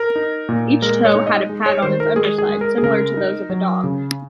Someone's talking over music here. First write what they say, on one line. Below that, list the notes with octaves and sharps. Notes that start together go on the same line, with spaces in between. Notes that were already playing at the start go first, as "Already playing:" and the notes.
Each toe had a pad on its underside, similar to those of a dog.
Already playing: A#4
D#4
A#2
G#3 A#4
C#5
D#4
D#5
G#3
C#5
D#3 C5
A#4
G#3 G#4
G#4
G#3
A#4
G#4
C#3 A#4
D#4
F#3
C#3